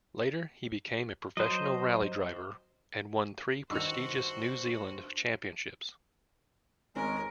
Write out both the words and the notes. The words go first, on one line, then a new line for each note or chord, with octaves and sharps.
Later, he became a professional rally driver, and won three prestigious New Zealand championships.
F#3 C5 D#5
G2 D#3 F#4 C5 E6 F7
G#1 G#3 C#4 A#4